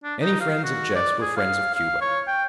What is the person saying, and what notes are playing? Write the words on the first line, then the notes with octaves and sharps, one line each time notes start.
Any friends of Jeff's were friends of Cuba.
D4
D#4
F5
F#4
D5
G#4
F5
F5
C#5
G5